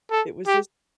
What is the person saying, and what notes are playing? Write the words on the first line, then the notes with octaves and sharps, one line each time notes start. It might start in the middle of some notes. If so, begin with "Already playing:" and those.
it was just
A4
G4